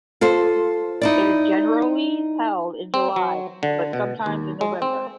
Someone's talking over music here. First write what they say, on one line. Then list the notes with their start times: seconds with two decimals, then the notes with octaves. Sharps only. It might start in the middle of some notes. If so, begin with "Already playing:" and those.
It is generally held in July but sometimes in November.
0.21 F4 A4 C5
1.01 D#4 E4 D5
2.94 C4
3.16 F#3
3.63 D3
3.93 B2
4.26 D#2
4.61 G#3
4.82 C4